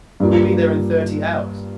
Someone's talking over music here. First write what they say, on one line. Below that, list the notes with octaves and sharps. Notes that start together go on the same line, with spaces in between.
We will be there in thirty hours.
G2 G3 A#3 F4